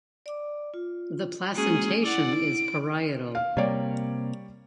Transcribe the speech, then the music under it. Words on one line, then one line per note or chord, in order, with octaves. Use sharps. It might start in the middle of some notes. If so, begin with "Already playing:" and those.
The placentation is parietal.
D5 D6
F4
G#3 A#3 C#4 F#4 G#4
E4 D5 F#5
D7
F5
C3 G3 A#3 C#5 D5